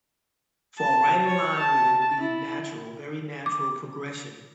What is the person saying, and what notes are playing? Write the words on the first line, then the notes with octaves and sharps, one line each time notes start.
fall right in line with it, it'd be natural, very natural progression
A5
C#5
A5
E4
D6